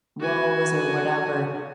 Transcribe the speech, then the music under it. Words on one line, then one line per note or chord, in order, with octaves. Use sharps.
woes or whatever.
F#4 G#5